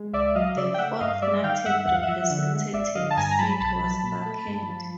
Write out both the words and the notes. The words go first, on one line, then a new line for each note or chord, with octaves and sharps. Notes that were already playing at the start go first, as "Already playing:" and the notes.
The fourth Native Representative seat was vacant.
Already playing: G#3
C#2 D5 E5
E5
F#3 D#5 F5
C#3 D5 E5
G5
A3 E5 F#5
G2 D#5 F5
G3 D5 E5
D#3 F5 G5
G2 E5 F#5
D#2 F#5
F5
E5 F#5
F3
D3
G#3
G#1 D5 E5
D3 D#5 F5
A5
G2 G#5 A#5
A#5
F#3 A5 B5
B1 A5 B5
F#3
A#2
A3
G2
F3